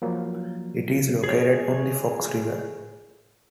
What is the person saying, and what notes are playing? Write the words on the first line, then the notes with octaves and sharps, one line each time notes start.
It is located on the Fox River.
F3 F#3 A#3
G#4 C#5